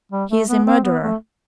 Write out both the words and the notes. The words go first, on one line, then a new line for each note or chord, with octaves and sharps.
He is a murderer.
G3
A3
B3
C4
B3
A3